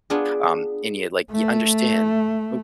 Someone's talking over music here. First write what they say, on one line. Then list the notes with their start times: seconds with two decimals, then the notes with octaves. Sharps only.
um, and you, like you understand. O
0.10 B3 D4 F4 G#4
1.31 A3